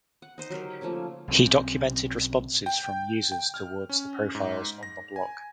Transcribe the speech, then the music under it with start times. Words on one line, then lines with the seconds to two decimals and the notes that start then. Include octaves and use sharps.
He documented responses from users towards the profiles on the blog.
0.22 F#5
0.38 D#4 C5 D#5
0.50 F#3 G4 A#4
0.81 F3 A3 A#3 C#4
1.28 B1 C#3 C4
2.66 G5
3.32 G5
3.54 F6
3.89 C#4
4.35 G#2
4.83 A#6
5.16 G#5